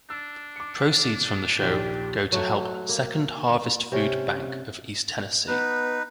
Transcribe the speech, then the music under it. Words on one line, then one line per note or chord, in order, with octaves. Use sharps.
Proceeds from the show go to help Second Harvest Food Bank of East Tennessee.
D4 E6
D6 C#7
A#1 D#2 G4
F#3 A3 F#5
A#3
C3 C#4
B3 D#4 B4